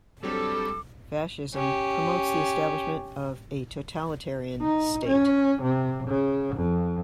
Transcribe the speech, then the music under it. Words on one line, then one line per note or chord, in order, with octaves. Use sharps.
Fascism promotes the establishment of a totalitarian state.
F#3 G3 C4 D4 A4 D6
C#4 G4
D#4
C#4
C3
C#3
F2